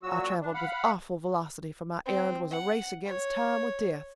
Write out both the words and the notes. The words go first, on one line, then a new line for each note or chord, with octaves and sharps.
I traveled with awful velocity for my errand was a race against time with death.
A#2 F#3 F#4 E6
D4
F5 F#5 B5
C4
F#5
C#5